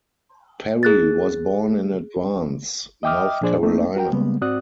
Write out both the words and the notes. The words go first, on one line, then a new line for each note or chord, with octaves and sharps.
Perry was born in Advance, North Carolina.
G#4 F#6 A6
D#5 E5 G5 D6 D#6 F6
A#2 F3 D4 G#4 C5 D5
A3 A#3 C4 D#4
F#4 A#4 G5
C#3 G3 G#3 A#3 B3
G#2 C4 F#4 D5 D#6 F#6